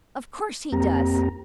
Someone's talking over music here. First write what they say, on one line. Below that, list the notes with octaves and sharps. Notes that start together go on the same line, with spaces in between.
Of course he does.
F2 A#3 C4 G4 A#5